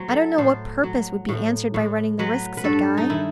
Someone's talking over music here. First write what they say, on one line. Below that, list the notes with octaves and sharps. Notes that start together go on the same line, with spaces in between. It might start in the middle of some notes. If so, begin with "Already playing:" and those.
'I don't know what purpose would be answered by running the risk,' said Guy.
Already playing: A2 F#3 C5
A4
A2 C5
F#3
A2
A2
F#3 B4
B4
G2 A4
D#4
D#3 E4